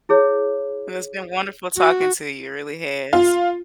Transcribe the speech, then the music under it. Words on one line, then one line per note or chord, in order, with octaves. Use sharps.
Well it's been wonderful talking to you, it really has.
E4 G#4 C#5
F#4
F4